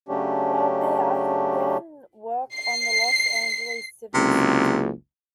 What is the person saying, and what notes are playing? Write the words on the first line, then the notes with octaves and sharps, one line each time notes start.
While mayor, he began work on the Los Angeles Civic Center.
C#3 F#3 A3 C#4 D4 G4
C7
F#1 C#2 C3